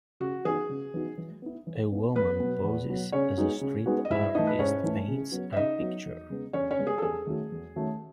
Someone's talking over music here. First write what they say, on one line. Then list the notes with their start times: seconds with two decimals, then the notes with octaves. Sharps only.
A woman poses as a street artist paints her picture.
0.20 C#3 F#4
0.45 E3 B3 D#4 F#4 G#4
0.69 C#3
0.94 E3 B3 D#4 F#4
1.18 E3
1.42 B3 E4
1.67 E3
1.92 B3 E4
2.15 E2 B3 B4
2.40 B2 F#3
2.64 E2
2.88 B2 F#3
3.12 C#3 C#4 C#5
3.37 G#3 B3 D#4 F#4
3.61 C#3
3.86 G#3 B3 D#4 F#4
4.05 D#5
4.10 G#2 E4 E5
4.35 E3 A3 D#4 E4 D#5
4.47 B4
4.59 G#2 C#4 C#5
4.83 E3 A3 E4
5.08 C#3
5.32 F#3 B3
5.53 E5
5.56 C#3 D#4 D#5
5.81 F#3 B3
6.05 E2
6.30 C#3 G#3 B3
6.53 E2 C#4 C#5
6.71 C#4 C#5
6.78 C#3 G#3 B3
6.87 G#4
6.98 A4
7.02 E2 G#4
7.27 D#3 A3 C#4 F#4
7.52 E2
7.76 D#3 A3 C#4 F#4